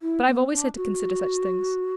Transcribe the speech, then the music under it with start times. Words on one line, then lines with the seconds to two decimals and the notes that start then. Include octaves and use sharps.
But I've always had to consider such things.
0.02 E4
0.27 B3
0.52 D4
0.77 F#4